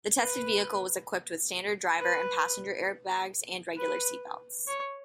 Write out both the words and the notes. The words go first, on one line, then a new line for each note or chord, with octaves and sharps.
The tested vehicle was equipped with standard driver and passenger airbags and regular seatbelts.
B4
B4
B4
C#5